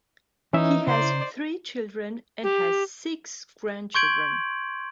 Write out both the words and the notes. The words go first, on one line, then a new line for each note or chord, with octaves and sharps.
He has three children and has six grandchildren.
E3 C#4 D#4 E4 E5
C#3 C5 D5 F#5 A#5
G4
C6 C#6 G6 G#6 D7 F#7